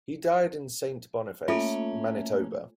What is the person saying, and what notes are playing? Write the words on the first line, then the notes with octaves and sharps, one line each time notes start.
He died in Saint Boniface, Manitoba.
A3 A#3 C#4 F4 A4 E5